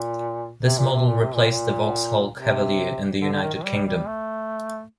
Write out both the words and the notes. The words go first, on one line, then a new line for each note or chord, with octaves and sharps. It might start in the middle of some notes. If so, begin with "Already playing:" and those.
This model replaced the Vauxhall Cavalier in the United Kingdom.
Already playing: A#2
C3
A#2
C3
A#2
C3
A#2
A#2
C3
D3
D3
D#3
D#3
G3
G3
A3